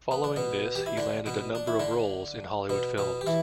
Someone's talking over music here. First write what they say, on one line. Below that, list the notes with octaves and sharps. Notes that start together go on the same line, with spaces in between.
Following this, he landed a number of roles in Hollywood films.
B3
D4
B2 B3
G4
E4
D3 D4
B2 B3
D4
E4
D3 D4
B2 B3
B2 B3
G4
E3 E4